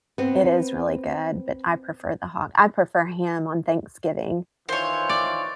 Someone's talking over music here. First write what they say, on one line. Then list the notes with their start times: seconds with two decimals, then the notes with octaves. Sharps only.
It is really good, but I prefer the hog. I prefer ham on Thanksgiving,
0.18 B3 C4
4.69 D#3 E3 F4 C5 C#5
5.09 D5